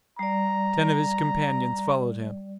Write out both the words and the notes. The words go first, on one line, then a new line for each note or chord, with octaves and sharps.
Ten of his companions followed him.
G3 D5 A#5